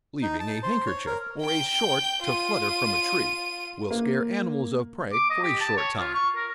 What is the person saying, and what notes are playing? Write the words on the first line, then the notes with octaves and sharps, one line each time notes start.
Leaving a handkerchief or a short to flutter from a tree, will scare animals of prey for a short time.
D#4
A5
C5
C#5
A#4
G5 G6
F4 D#7
A#3
D6
D#5
G4
A5
C#5
F4
C#6
A#4